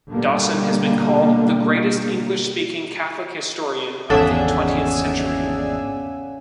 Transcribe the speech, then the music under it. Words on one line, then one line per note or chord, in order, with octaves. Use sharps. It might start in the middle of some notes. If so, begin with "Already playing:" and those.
Dawson has been called "the greatest English-speaking Catholic historian of the twentieth century".
B2 D3 G3 A#3
G#1 E2 C#3 D4 G#4 A4 E5 F#5